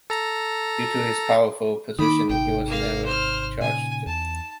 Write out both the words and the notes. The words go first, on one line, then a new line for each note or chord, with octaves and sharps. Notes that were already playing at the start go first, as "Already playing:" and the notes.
Due to his powerful position, he was never charged.
A4 A#5
D#3 A#3 D#4 B5 D6
G#1 C3 G5
A#3 F5
C5 F6
A#2 C#3 G#5
E2 A5